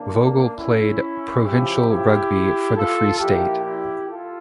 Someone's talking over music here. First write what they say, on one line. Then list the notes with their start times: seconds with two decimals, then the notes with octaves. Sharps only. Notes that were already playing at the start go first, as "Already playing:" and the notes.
Vogel played provincial rugby for the Free State.
Already playing: C#3 E3 A#3 D4
0.56 C#4 E4
1.44 C#3 F3 E4 G4
1.89 E4 G4
2.76 F4 A4
3.20 A#2 F3 E4 G4
3.64 E4 G4
4.08 F4 A4